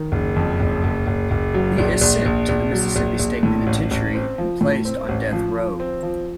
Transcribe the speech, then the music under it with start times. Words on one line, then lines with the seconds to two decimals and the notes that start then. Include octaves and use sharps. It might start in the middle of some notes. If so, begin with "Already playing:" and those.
He is sent to the Mississippi State Penitentiary and placed on death row.
Already playing: D#3
0.12 F#1
0.36 F2
0.60 F#1
0.84 F#1
1.07 F#1
1.31 F#1
1.54 F#3
1.78 A#1
2.01 A#1
2.26 A#1
2.49 A#1
2.72 F#3
2.96 A#1
3.19 A#1
3.43 A2
3.67 A1
3.91 A1
4.14 C4
4.38 F3
4.61 A2
4.85 C4
5.09 A1
5.33 F3
5.56 F3
5.80 C4
6.03 F3